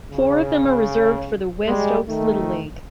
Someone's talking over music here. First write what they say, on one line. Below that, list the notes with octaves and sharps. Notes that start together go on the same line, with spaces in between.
Four of them are reserved for the West Oaks Little League.
C#3
G3 G#3
D#3 A3